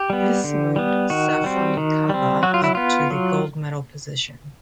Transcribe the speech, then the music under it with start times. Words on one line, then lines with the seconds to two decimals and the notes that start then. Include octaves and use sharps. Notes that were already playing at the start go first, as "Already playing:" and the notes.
This moved Safronnikava up to the gold medal position.
Already playing: G4
0.10 G3 B3
0.44 D3
0.76 G3 B3
1.10 D#3 F#4
1.44 G3 C4
1.77 D#3
2.09 G3 C4
2.43 F#3 F#4
2.54 F4
2.64 E4
2.75 B3 F4
3.10 F#3